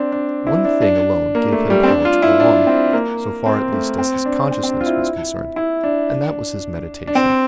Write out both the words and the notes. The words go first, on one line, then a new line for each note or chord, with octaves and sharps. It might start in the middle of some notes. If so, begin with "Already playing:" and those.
One thing alone gave Him power to go on, so far at least as His consciousness was concerned, and that was His meditation.
Already playing: C4 D4
D4
E4
D4
D4
A#3
A3
G3
C4
D4
F4
E4
D4
C4
A#3
C4
A3
C4
D4
C4
C4
D4
F4
E4
E4
D4
D4
C4